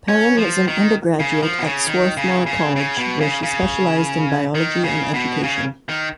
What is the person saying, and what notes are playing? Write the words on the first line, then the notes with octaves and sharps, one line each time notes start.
Perrin was an undergraduate at Swarthmore College where she specialized in biology and education.
C#4
F3
D#3
C#3
F3
B2
C#3
D#3
C#3
C#3
C#3
B2
C#3
C#3
D#3
C#3
B2
C#3
D#3